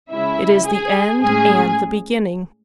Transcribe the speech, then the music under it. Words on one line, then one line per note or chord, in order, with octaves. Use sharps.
It is the end and the beginning.
C#3 G#3 C#4 E4 E5
G#4 G#5
A2 G#3 C#4 G#4 G#5